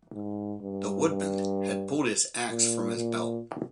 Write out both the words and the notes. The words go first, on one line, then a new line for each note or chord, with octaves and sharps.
The woodman had pulled his axe from his belt.
G#2
G2
G2
A#2
A#2